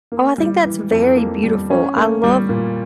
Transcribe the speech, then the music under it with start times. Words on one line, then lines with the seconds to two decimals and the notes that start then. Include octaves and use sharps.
oh, I think that's very beautiful, I love
0.12 A#3
0.38 G3
0.65 E3
0.91 F2
1.16 A#3
1.44 G3
1.70 C#4
1.96 A#3
2.24 G3
2.49 A#2